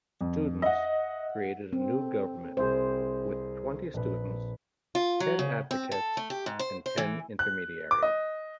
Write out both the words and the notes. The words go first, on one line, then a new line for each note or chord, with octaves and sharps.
Students created a new government with twenty students, ten Advocates and ten Intermediaries.
F2
D#5 E5 F#5
C4
A4
C2 G#4 C5
A#1 B4
F4
F#3
C#3
C4
A4
A3
G4
G#2
C5
C5
E3
F#6
D6
D#5